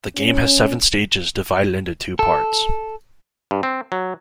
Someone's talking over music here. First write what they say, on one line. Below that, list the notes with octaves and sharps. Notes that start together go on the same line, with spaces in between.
The game has seven stages divided into two parts.
C#4
A4
G2
C4
F#3